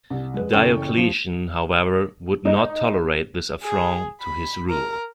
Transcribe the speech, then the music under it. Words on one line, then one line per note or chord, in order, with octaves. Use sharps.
Diocletian, however, would not tolerate this affront to his rule.
C2
G#3 B4
F#1 E3 C#4 A4 G5 C#6
F3
D#4
G#4
B5
A#4